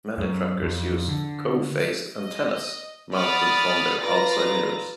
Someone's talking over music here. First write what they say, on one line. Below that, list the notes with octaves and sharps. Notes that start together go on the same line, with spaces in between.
Many truckers use two co-phased antennas, mounted on their outside mirrors.
F#2
F2
D3
D#5
D5 F#5 B5 D#6 F6 A6
F4 B4 D5 A#5 A6 A#6